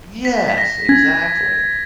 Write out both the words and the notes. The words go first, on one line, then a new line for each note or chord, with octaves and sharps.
Yes, exactly.
B6
B6
A#6
C#4 G#6